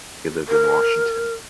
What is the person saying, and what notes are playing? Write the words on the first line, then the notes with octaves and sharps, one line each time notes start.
He lived in Washington.
A#4